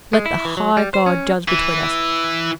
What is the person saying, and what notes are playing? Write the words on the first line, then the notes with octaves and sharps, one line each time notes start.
'Let the high God judge between us.
G#3
E4
E3
F#3
G3
C5
C#4
E3